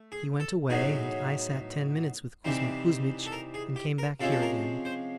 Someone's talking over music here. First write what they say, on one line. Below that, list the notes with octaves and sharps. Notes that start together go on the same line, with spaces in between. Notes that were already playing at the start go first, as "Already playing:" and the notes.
He went away and I sat ten minutes with Kuzma Kuzmitch and came back here again.
Already playing: A3
G#4
A4
A2 F#3 B3 D#4 G#4
C3 E3 G3 C4 D#4
A4
A#4
G#4
G4
A#4
C3 F3 G#3 C#4 A4
A4
A#4
C5